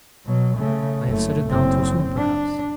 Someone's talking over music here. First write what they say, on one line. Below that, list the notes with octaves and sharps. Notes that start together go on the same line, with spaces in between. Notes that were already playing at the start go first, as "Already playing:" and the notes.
I have set it down too soon, perhaps.
B2 F#3
C#3 A3
F#1 A3
F#1 C4
D4